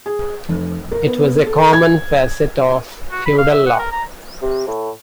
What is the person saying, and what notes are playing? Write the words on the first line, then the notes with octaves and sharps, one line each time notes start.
It was a common facet of feudal law.
G#4
F1
A#4
B3
A4
G#6
F#4
B5
F5
E5
F#5
A#4
A#5
C3
A2